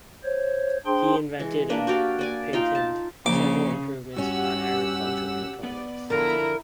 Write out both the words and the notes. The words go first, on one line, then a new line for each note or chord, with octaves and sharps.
He invented and patented several improvements on agricultural implements.
C5 C#5
D4 G#4 C5 G5 C6
E3 G#3
A#3 D4 B4
F#4 G4 D5 F5
A#3 D5 G#5
D#4 F4 F5 G5
A5
A#1 C#3 D6
G2 C#4 F#4 G4 F#5 E6
B3 B4 D5 F#5
D3 F3 E4 A#4 A#5